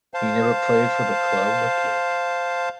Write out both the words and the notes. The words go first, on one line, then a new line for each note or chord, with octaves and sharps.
He never played for the club again.
C5 F5 A5